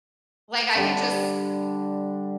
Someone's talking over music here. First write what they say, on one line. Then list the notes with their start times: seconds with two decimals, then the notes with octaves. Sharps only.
like, I can just,
0.75 D3 G3 D4